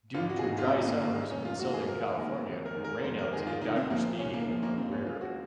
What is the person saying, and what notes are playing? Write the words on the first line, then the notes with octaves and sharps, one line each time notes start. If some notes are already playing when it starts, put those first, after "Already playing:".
Due to dry summers in Southern California, rainouts at Dodger Stadium are rare.
G#1 F4
F#4
G#4
G#2 D#3 F#4
F4
C4
G#1 C#4
A#3
G#2 D#3 A#3
F1 C#4
F4
D#2 D#3 G#3 F#4
G#4
F1 A#4
D#2 D#3 G#3
F2
A#4
D#3 G#3
A#4
F2 C5
A#4
D#3 G#3 G#4
F4
C2 D#4
C4
A#2 F3 A#3
C2 C#4
A#3
A#2 F3 A#3
A#3
D#2 C4
C#4
C#3 G#3 F4
F#4